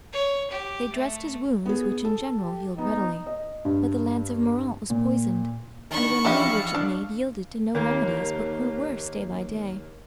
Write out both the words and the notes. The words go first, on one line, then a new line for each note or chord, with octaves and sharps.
They dressed his wounds, which in general healed readily; but the lance of Moraunt was poisoned, and one wound which it made yielded to no remedies, but grew worse day by day.
C#5
G4
A3
B3 G#4
A4
G4
B3 D#4
D#5
G2
A#2
D#3 D4 B5 C#6
E2 F3 D4 E4 G4 D#5 F5
D4
D#2 A#3